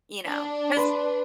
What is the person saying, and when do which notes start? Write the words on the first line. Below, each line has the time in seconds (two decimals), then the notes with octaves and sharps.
You know, 'cause
0.25 D4
0.77 B4 C6